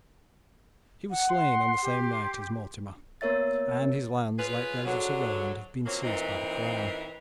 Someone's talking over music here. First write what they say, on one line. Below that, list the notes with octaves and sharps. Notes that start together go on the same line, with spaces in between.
He was slain on the same night as Mortimer, and his lands, like those of Sir Roland, have been seized by the crown.
F#5
C6
G4
A#3 B3 A#4 C#5 E5 A6
C#4 F4 G#4 B4
G#2 D3 F#3
F3 F#3 A#3 C4 C#4
A#2 E3 C4 D#4